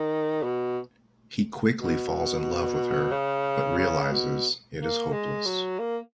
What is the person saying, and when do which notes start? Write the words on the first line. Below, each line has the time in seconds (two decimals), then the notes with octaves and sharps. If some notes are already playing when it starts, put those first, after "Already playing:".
He quickly falls in love with her, but realizes it is hopeless.
Already playing: D#3
0.43 B2
1.77 B2
3.11 C#3
3.78 C#3
4.11 B2
4.79 A#3
5.12 G#3
5.45 F#3
5.79 A#3